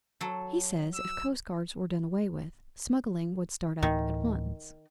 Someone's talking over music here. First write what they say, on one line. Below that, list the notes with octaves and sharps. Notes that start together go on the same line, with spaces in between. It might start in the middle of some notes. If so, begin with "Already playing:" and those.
He says if coastguards were done away with, smuggling would start up at once.'
F#3 A4
E6
D2 A2 D#3 E3